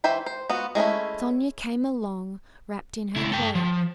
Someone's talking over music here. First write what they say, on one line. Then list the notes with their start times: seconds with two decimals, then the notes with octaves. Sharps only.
Sonya came along, wrapped in her cloak.
0.04 E3 C5 E5 G5 B5
0.26 C5
0.50 B3 F4 F#4
0.75 G#3 A3 C#4 E4
3.16 C#2 E4
3.32 A4 G5
3.55 F3